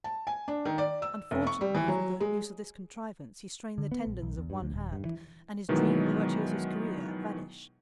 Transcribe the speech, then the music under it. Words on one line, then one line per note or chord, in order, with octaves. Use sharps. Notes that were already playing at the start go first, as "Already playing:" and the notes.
Unfortunately, through the use of this contrivance he strained the tendons of one hand and his dream of a virtuoso's career vanished.
A5
G#5
D4
D#3
D5
E6
F1
C#6
G3
E3
F#3
G#3
D3
B3
A#1
B1
E2
G2
D2
D#1
G2
E3
B2 D#3 E3 F#3 G#3 B3